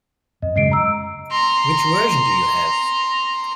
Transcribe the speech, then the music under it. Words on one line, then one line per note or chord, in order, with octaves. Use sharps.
Which version do you have?
F2 D#5
F#2 C#3 G#3 D#5 C7 D7
A#5 E6
A#5 C6